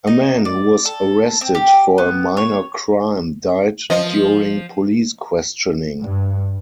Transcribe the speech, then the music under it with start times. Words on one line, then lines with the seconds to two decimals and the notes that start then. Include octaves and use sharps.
A man who was arrested for a minor crime died during police questioning.
0.07 D#4
0.45 D5
0.85 A4
1.41 C4
1.55 G4
1.98 B3
2.37 C#5
3.90 F3 D#5
6.01 G2